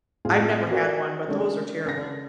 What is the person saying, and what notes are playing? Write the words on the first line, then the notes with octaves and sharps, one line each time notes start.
I've never had one, but those are terrible.
A2 C4 F4 G#4
F#4 A4 A#4 D5 F#5 G#5
C#3 G#3 A3 C#4 D4
C#3 A#6